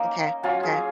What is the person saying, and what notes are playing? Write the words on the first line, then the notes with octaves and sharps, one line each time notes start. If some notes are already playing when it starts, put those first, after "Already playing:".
Okay. Okay.
Already playing: A#3 C#4 D#4 F4
F#3 C#4 F4
G#4